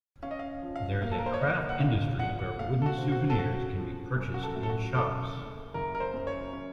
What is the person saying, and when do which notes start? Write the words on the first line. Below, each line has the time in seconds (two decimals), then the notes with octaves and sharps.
There is a craft industry where wooden souvenirs can be purchased in shops.
0.23 C#4 F5
0.31 D#5
0.39 F5
0.62 F3
0.76 F5
1.02 A#3 F5
1.11 A4
1.19 A#4
1.26 C5
1.34 C#5
1.40 A#3 D#5
1.69 F#5
1.80 A#1 F5
2.19 A#1 F#5
2.39 F#5
2.59 A3 F5
2.82 A4
2.86 F#4
2.98 C4
3.12 F#4
3.30 A4
3.38 C#3 F#4
3.78 F3
4.16 F#2
4.34 F#4
4.43 A4
4.56 A3
4.63 A4
4.70 F#4
4.95 F#2 A4
5.36 F#1
5.74 F#1 A#4
5.95 A#4
6.00 C5
6.14 F#2
6.27 C#5
6.53 C#4